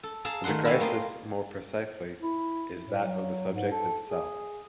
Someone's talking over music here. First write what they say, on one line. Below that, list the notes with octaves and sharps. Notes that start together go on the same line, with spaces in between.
The crisis, more precisely, is that of the subject itself.
A4
G#4 A4 F5 A5 A#5
D#3 A3 D#4 F#5 C6
E4 F#4 G4 F5 G#5
A3 A#3 F4 D#5 C6
E4
A2
F#3
G#2
A4
G#4